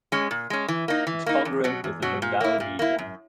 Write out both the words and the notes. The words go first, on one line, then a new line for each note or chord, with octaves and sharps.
It is congruent with the Lungau region.
G#3 C#4
A#2
G#3 C#4
E3
A#3 D#4
E3
A#3 D#4
E2
B2 F#3
E2
B2 F#3
A#2
A#3 E4
A#2
A#3 E4
F#2